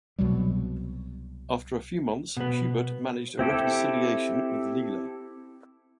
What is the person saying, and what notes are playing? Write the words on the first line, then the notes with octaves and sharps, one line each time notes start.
After a few months, Hubert managed a reconciliation with Leila.
C2 B2 F#3 G3
B2 B3
C4 E4 G4 A4